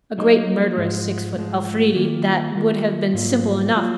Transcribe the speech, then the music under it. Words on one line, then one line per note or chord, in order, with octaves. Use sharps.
A great, murderous, six-foot Afridi--that would have been simple enough.
F#3 A#3 D#4
G#2 F3 G#3
G#2 F3 G#3
D#3 A#3 F4 A#4
D#3 A#3 F4 A#4
G#2 F#3 A#3 F4
F#3 A#3 F4